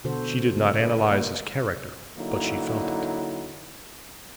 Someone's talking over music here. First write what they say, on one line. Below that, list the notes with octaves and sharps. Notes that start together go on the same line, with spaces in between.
She did not analyse his character, but she felt it.
B2 D3 F#4 A4 C5
C#3 A3
B4
A#3
D3 F#3 A#3 D#4 E4